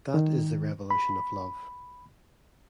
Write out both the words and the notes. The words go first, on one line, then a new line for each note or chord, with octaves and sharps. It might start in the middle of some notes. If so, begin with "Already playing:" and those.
That is the revolution of love.
D#3
B5